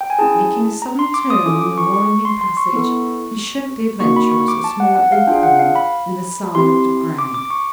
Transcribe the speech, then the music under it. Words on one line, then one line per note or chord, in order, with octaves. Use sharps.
Making a sudden turn in the winding passage he showed the adventurers a small opening in the side of the crag.
G5
G#5
C#4 E4 G#4 A5
A#5
C6
D6
D#6
C#4 F4 A4 D6
D6
C#6
C#6
C6
C6
C#6
B3 E4 A4
A#3 D#4 F#4 C#6
B5
C#6
D6
A5
F#5
F#5
F5
D4 F4 G#4 G5
F#5
F5
B5
C4 E4 G4 C6
D6
D6
C#6